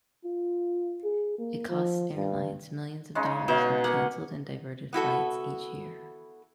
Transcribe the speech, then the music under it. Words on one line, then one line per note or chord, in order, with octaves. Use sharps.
It costs airlines millions of dollars in cancelled and diverted flights each year.
F4
G#4
A#3
F3
G2
C#3 G#3 D#4
B2 D#4 C#5 E5 F5
A#3 F#5
B3 E4 F#4 A4